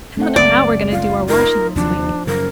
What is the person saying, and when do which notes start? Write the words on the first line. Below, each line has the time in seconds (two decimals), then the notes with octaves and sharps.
I don't know how we are going to do our washing this week.
0.17 A3 C4 F#5
0.36 F#1 C#2 D5
0.92 F4 F5
1.29 D#4 F4 A#4
1.76 D#2 C3 F3 F#3 D4
2.27 F#2 C#3 A#4